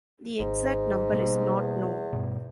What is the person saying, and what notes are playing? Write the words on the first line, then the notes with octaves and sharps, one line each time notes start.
The exact number is not known.
G#1 G#2
B2 G3 A#3
E2
G2 B2